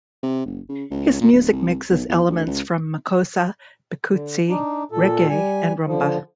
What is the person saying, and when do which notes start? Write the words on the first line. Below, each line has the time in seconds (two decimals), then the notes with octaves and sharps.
His music mixes elements from makossa, bikutsi, reggae and rumba.
0.23 C3
0.46 F#1
0.69 C#3
0.91 C#2
1.20 A#2
1.33 D1
1.52 C2
1.90 B1
2.09 E2
2.28 D2
2.47 C#2
4.09 D3
4.49 D4 D#4
4.92 A#2 A4
5.29 G3 G#5
5.87 D3 F3